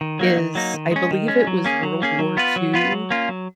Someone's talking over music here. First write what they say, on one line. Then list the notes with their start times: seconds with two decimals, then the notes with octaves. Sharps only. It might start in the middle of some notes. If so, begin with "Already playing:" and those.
is, I believe it was World War II
0.01 D#3
0.19 F#3 A#3 D#4
0.38 D#3
0.55 F#3 A#3 D#4
0.74 D#3
0.92 G#3 C#4
1.11 D#3
1.28 G#3 C#4
1.47 F#3
1.65 A#3 C#4 G#4
1.83 F#3
2.02 A#3 C#4 G#4
2.19 F#3
2.37 B3 F4 B4
2.56 F#3
2.74 B3 F4 B4
2.92 F#3
3.10 A#3 C#4 F4
3.29 F#3